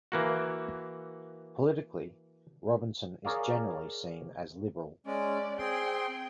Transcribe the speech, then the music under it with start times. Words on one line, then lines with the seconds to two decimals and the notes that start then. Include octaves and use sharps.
Politically, Robinson is generally seen as liberal.
0.12 E3 A#3 F#4
3.25 G#4 A#4 C#5 D5 F5
5.06 G#3 C#4 D5
5.59 C4 G#4 G5 C6